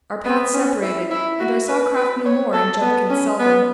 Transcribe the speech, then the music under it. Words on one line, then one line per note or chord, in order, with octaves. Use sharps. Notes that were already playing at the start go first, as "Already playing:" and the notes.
Our paths separated, and I saw Kraft no more and Judkins seldom.
B3
C#4
E4
E4
F#4
B4
B4
C#5
A4
B3
C#4
B3